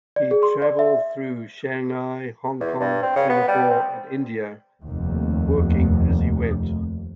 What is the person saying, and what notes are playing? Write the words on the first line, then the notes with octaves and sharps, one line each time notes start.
He travelled through Shanghai, Hong Kong, Singapore, and India, working as he went.
D5
G#4
C6
D5
E5
E2
G2
C4
C#3
B3
G3
C4
F1 D#2